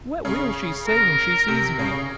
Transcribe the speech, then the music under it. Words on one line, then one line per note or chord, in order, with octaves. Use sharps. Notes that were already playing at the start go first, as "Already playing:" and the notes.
What will she say when she sees me?
C#3
A#4
C3
C#3